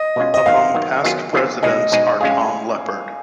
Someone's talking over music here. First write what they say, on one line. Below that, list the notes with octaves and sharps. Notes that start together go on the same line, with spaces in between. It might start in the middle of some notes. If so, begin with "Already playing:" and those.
Among past presidents are Tom Leppard.
Already playing: D#5
B2 G#3 C#4 F4
D#5
D#3 F#3 B3 F5
D#3 F#3 B3
D#3 F#3 B3 F4 G#4
D#3 F#3 B3 F4 G#4
B2 G#3 D#4 G#4 D#5
B2 G#3 D#4 G#4
G#3 C#4 F4 G#4 F5
G#5